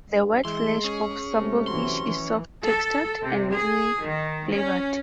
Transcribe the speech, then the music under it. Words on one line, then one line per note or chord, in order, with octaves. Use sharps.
The white flesh of the sablefish is soft-textured and mildly flavored.
G2
E3 G#3 C6
C#4 G#4
C3 G#3 A3
E3 F#3 C6
E3
A4
C3
G#4
D#3
C#4